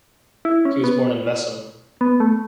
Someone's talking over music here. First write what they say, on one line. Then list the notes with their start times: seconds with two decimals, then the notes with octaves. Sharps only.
He was born in Vessem.
0.45 E4
0.65 C#4
0.84 B3
2.01 B3
2.20 A3